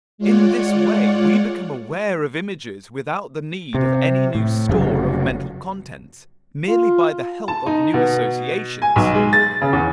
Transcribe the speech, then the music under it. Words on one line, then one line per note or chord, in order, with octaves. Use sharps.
In this way we become aware of images without the need of any new store of mental contents, merely by the help of new associations.
G#3 F4 C#5 D5 F#5
C3
A2
F1 C#3 F#3
F4
A5
D#4
B2
G#5
B1
G#3
A6
C#3
E2